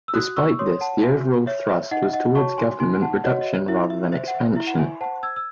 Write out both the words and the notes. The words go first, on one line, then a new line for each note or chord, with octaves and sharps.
Despite this, the overall thrust was towards government reduction rather than expansion.
E6
F#4 D#6 F#6
C#6 E6
C#5 C6 D#6
F#5 A5
F#4 E5 G#5
C#5 E5
E5
D#4 D#5 F#5
E5
D#5 F#5
F#4 C#5 A5 C#6
G#5 C6
D#4 G#5 C6
G#5
F#5 A5
F#4 C#5 D#5 F#5
D#5
E5
E4 E5
E5
C5 E5
F#5
E5
E4 E5
F#5
E5 G#5
C5 F#5 A5
E6 G#6
E6